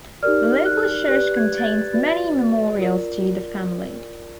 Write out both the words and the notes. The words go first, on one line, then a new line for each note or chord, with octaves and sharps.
The local church contains many memorials to the family.
D#4 G4 A#4 D5 F6
F#6
G4 B4 D5 F#6
G#6
A6
G#6
F#4 B4 D5 A6
F4 A#4 D5